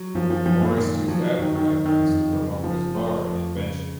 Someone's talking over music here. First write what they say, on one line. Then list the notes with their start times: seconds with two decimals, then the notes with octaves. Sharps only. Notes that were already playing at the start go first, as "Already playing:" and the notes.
Morris used advertisements to promote his bar and invention.
Already playing: F#3
0.14 F#2 F3
0.30 F3
0.46 F#2 F3
0.62 A#2
0.76 A#2 D#3
1.08 F3 F#3
1.38 F#2 D#3
1.55 D#3
1.70 F#2 D#3
1.85 D#3
2.01 F2
2.32 C#3
2.64 F#1 F3
2.95 A3
3.25 F2
3.57 C#3